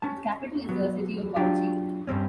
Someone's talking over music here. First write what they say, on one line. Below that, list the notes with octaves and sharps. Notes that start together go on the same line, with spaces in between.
Its capital is the city of Bauchi.
C#4 A5
F#3 B3
F#3 D4 F4 G4
G2 G3 C4 C#4